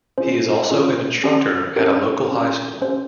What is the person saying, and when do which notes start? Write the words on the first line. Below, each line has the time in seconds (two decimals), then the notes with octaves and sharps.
He is also an instructor at a local high school.
0.18 C#4 F4 G#4 C5
0.71 C#4 F4 G#4
1.23 C#4 G4
1.76 C#4 G4 A#4
2.29 C#4 G4
2.81 C#4 C5
2.85 G4